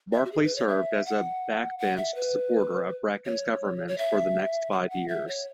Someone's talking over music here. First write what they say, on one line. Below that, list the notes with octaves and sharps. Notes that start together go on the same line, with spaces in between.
Barclay served as a backbench supporter of Bracken's government for the next five years.
E5
F#4
G#4
B4
C#5
E5
F#5
F#5
E5
B4
C#5
C#5
E5
F#5
F#5
E5
C#5